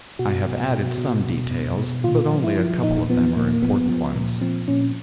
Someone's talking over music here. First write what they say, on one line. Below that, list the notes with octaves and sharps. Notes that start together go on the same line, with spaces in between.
I have added some details, but only a couple of them are important ones.
B2 F#4
B2
B2
B2
B2
B2
B2
A#2 F4
F3
E4
F3
A#2 D#4
F3 B3
A#2 A#3
A#3
F3 B3
F3
A#2
F3 C4
A#2 C#4